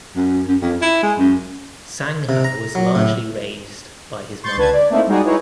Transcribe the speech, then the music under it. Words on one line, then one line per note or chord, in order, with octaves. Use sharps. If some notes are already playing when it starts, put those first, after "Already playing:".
Sangha was largely raised by his mother.
F#2
F#2
F2
E4
G#3
F#2
C3
A#5
F#3
A2
C6 C#6 G6 A6
C#2 D3 B4 A5 G#6
D5
A3 A#3 C4 D#4 E4
G3 G#3 D#4 F#4 G#4 D5
D#4 E4 G#4 B4 C#5